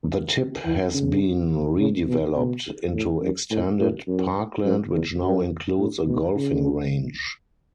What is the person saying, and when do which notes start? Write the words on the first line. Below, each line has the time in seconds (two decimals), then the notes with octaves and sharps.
The tip has been redeveloped into extended parkland which now includes a golfing range.
0.65 E3
0.94 C#3
1.79 C#3
2.07 B2
2.36 B2
2.94 A2
3.21 F#2
3.50 A2
3.79 A2
4.07 F#2
4.65 F#2
4.93 E2
5.22 F#2
5.78 A2
6.07 B2
6.36 C#3